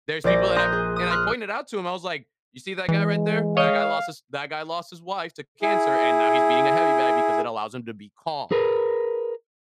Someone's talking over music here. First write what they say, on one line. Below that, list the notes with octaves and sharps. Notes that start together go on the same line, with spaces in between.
There's people that have and I pointed out to him, I was like, "You see that guy right there? That guy lost his that guy lost his wife to cancer, and now he's beating a heavy bag because it allows him to be calm.
A#1 C5 D5 A#6
A#5 C6 D#6 F#6 G6 A#6
G#4
D#6
C6 F6 F#6
E3 G#3
C#5 D#5 F5
E4 G#4
G#4 A#4 B4